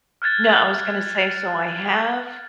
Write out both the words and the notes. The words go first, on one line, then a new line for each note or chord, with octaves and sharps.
No, I was gonna say, so I have
F6 F#6 G#6 A6